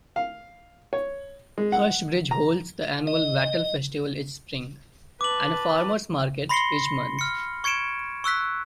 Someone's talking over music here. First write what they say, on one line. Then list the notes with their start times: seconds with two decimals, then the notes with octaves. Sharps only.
Hurstbridge holds the annual Wattle Festival each spring, and a farmer's market each month.
0.16 F5
0.93 C#5
1.58 G#3
1.72 F#5
2.31 A#5
3.07 D#5
5.21 B4 A5 D6 F#7
6.49 B5 C6 A#6 C7 C#7 G7
7.19 F6 C#7
7.64 C#6 G#6 C#7 D7 E7
8.24 C#6 E6 F#6 B6